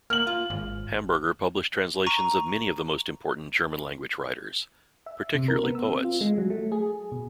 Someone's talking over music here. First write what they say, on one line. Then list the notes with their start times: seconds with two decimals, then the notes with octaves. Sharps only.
Hamburger published translations of many of the most important German-language writers, particularly poets.
0.10 A#3 F6 F#7
0.27 F4
0.50 G#1
2.07 A#5 C#6 D#7
5.06 E5
5.35 C3
5.48 A#4
5.64 B3
5.75 E6
5.87 C4
6.04 F4
6.21 G#3
6.38 F#3
6.50 A3
6.72 G#4
7.12 B2